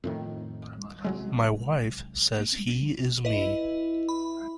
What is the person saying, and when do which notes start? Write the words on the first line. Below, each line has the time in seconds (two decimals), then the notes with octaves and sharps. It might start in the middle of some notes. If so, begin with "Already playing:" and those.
My wife says he is me.
0.04 F2 A2 D#3
1.04 C2 F#3 G#3
3.25 E4 B4 D#5
4.09 B5